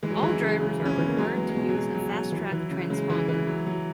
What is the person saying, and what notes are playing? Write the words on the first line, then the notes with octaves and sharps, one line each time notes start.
All drivers are required to use a FasTrak transponder.
E3 G#3
F#3
G#3
E3
C#3
C#3
E3
C#4
E3 B3
A#3
F#3 G#3
F#3 G#3 B3
G#3
B2 F#3
F#3
B2 G#3
F#3
F#3
E3
E3
C#3
C#3 G#3
E3
E3
F#3
F#3